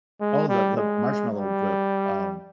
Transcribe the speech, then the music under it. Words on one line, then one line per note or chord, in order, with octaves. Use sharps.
Oh, the the marshmallow whip, um,
G#3
G3
G#3
G3